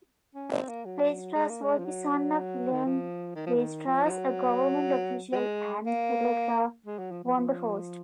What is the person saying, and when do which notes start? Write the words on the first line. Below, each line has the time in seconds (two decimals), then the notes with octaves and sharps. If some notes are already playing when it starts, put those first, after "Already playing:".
Weierstrass was the son of Wilhelm Weierstrass, a government official, and Theodora Vonderforst.
0.35 C#4
0.52 C4
0.69 A#3
0.85 F#3
1.35 G#3
1.49 A#3
1.62 G#3
1.79 F3
1.86 F#3
2.72 D#3
2.86 F3
3.35 D#3
3.46 F3
3.56 D#3
3.86 F3
4.04 F3
4.11 F#3
5.32 F#3
5.36 G#3
5.86 A#3
6.86 G#3
6.98 F#3
7.12 F3
7.24 F3
7.37 F3